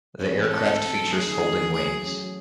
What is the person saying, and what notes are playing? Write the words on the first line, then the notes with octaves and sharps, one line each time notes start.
The aircraft features folding wings.
C4 C#4
E3
C4 A4
A3
C4
F#3
A3 G#4
D#3
A3
E3
A3 G#4
F#3
C#4 G#4
F#3